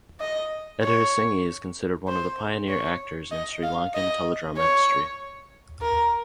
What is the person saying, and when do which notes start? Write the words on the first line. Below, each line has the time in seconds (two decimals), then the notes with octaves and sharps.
Edirisinghe is considered one of the pioneer actors in Sri Lankan teledrama history.
0.20 D#5
0.83 C#5
2.08 C5
2.69 C#5
3.32 D#5
3.63 F5
3.95 D#5
4.57 C#5
5.81 A#4